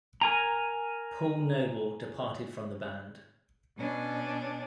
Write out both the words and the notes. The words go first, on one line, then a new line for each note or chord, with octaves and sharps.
Paul Noble departed from the band.
A#4 G#5 A#5
B2 C#4 D4